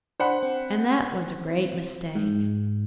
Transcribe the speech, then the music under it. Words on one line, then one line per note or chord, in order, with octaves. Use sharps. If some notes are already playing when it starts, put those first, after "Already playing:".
And that was a great mistake.
D4 C5 F#5 B5
C4
G#2